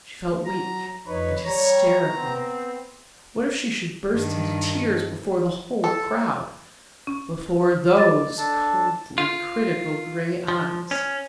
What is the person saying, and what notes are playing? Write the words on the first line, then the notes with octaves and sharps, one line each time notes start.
She felt weak and hysterical. What if she should burst into tears before the whole crowd--before those coldly critical grey eyes?
F#3 A#5
F2 D#4 B4 C#5
G3 C#5 A#5
B3 C4
G2 D#3
A4
C#4
D5 D#5 D6 A6
D4 A4 A5
F4
F3
C#4